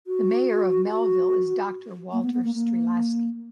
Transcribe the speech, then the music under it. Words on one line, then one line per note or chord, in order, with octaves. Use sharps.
The mayor of Melville is Doctor Walter Streelasky.
F#4
F#4
A#3
B3
B3
A#3
A#3